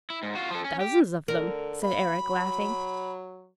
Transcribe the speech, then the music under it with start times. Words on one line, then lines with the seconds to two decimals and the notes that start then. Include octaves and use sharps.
"Thousands of them," said Eric, laughing.
0.10 E4
0.23 G#2
0.35 F4 F#4
0.50 F3 A4
0.64 C#4
0.81 G4
1.28 D3 A#4
1.83 A#3 B5
2.22 F#3